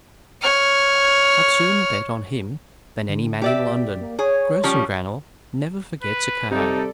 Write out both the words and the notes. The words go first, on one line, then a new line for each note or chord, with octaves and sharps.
I'd sooner bet on him than any man in London. Grossengrannel never forgets a card.
C#5 F6
D3
B2 G4 D5 E5
A#3
G#4 C#5
F3 G3 C#4
B4
C3 G3 D#4 A4 D5